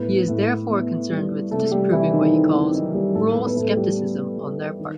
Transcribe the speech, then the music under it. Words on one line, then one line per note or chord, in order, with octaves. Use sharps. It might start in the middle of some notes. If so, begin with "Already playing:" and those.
He is therefore concerned with disproving what he calls "rule scepticism" on their part.
Already playing: A2 B3 B4
A2
B3
G3
C3 A3 A4
G3 G4
C3 E3 E4
D#3 D#4
A3 C4
C4
D#3 F#3 D#4
G3 G4
A2 A3 A4
B3 B4
B4
A2 A3 A4
G3 G4
B3
G3
D#3